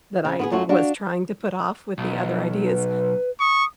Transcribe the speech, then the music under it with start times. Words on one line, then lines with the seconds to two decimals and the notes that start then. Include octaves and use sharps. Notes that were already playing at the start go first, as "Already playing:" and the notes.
that I was trying to put off with the other ideas
0.24 C#3 C4
0.39 B3 F4 G#4
0.51 F#2 F#3 A3 F4 F#4
0.69 D4 F#4 F5
1.98 B1
2.69 B4
3.40 C#6 D#6